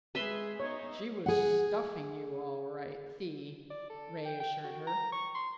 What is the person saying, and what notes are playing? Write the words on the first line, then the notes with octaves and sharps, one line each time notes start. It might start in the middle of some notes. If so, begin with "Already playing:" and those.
"She was stuffing you, all right, Thee," Ray reassured her.
G#3 G#4 B4 E5 C6
B3 D#4 C#5
G#4 F#5
D5
A4
G5
G5
F#4
A#5
C#6
C6